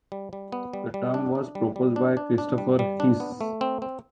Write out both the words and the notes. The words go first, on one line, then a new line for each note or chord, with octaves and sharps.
The term was proposed by Christopher Hsee.
G3
G3
B3
G3
G3
D4
D4
G3
G3
D4
D4
D4
G3
G3
D4
B3
A3
C4
C4